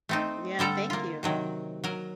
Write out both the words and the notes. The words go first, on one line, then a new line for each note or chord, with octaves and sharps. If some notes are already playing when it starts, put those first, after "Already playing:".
Yeah, thank you,
A3 C4 D#4
D3 G3 A4 A#5
A#3 F4
C3 D#3 F#3
F#3 A#4